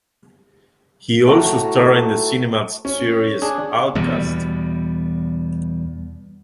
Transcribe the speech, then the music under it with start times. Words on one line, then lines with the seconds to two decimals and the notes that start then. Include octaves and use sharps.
He also starred in the Cinemax series "Outcast".
1.26 A2 A3 F#4 A#5
2.85 C#4
3.42 D4 G#4
3.95 E2 B2 G3